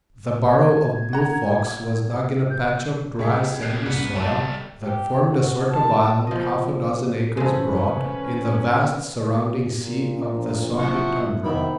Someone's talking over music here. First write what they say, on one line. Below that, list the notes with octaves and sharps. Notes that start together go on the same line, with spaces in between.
The burrow of Blue Fox was dug in a patch of dry, sandy soil that formed a sort of island half a dozen acres broad in the vast surrounding sea of the swampy tundra.
G#6
F#5 A#5
G6
C#2 G#4 B6
A#2 C#4 F#6 G6 C7
C2 B3
G3 A4
G4
F#4
A5
F3 D#5
C#3 E3 G#3 C#4 A4 B4 C5
A#2
A#1
F3 F#3 E4 F4 F#5 C#6
C3 D#3 B3 G4 B5